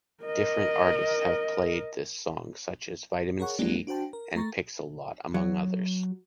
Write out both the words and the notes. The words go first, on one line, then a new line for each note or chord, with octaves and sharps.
Different artists have played this song, such as Vitamin C, and Pixie Lott, among others.
A#4 D#5
G#4 A#4 C#5 F#5 C#6
F#3 G#3 A#3 C4 D4 G4
D4 F#4 C5 G5 A5
A#4
A3 A#5 C#6 A6
F#3